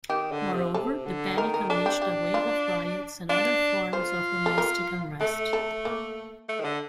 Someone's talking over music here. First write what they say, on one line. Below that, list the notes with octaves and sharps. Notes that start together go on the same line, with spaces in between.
Moreover, the panic unleashed a wave of riots and other forms of domestic unrest.
D#3 G4
D3
C3
C3 A4
D3
D#3 A#4
A#4
D4 A4
G4
G4
F4
D4 F4
F4 C5
A4
A#4
A3 A4
A4
A#3
A3
D#3
D3